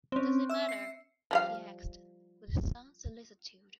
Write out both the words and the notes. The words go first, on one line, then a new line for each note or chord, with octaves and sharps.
"Does it matter," he asked, with some solicitude.
C4 C#4
E5 E6
C7 C#7
F3 G3 F5